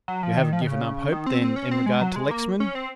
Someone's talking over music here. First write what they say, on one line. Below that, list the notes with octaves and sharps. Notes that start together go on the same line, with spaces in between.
"You haven't given up hope, then, in regard to Lexman?"
F#3
F3
D#3
F3
D#3
C#3
D#3
C4
C4
C#4
C4
G#3
F#3
G#3
A#3
C#4
C4